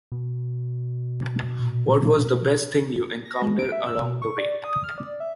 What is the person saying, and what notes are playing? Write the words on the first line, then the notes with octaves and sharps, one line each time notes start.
What was the best thing you encountered along the way?
B2
A#2
A#6
G#3
D7
E5
E6
B2
C#6
D5
D#6
F6
D5
E5